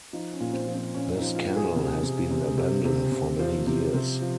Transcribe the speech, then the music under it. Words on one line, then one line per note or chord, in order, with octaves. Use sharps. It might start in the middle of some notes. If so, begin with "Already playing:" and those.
This canal has been abandoned for many years.
F3 D#4
C#4
A#2
C4
F3
C4
A#2 C#4
D#4
F3
F4
F3
G#4
C3
C3
C3
C3
C3
C3
F3 C5
C3
C3
F3